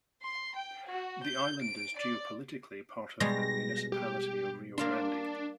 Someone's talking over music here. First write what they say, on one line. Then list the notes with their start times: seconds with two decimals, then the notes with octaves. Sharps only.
The island is geopolitically part of the municipality of Rio Grande.
0.23 C6
0.56 G5
0.89 F#4
1.26 G6
1.61 D7
1.98 D5
3.20 B2 G3 G#3 A#6
3.92 G4
4.78 A#3 D4 F5 C6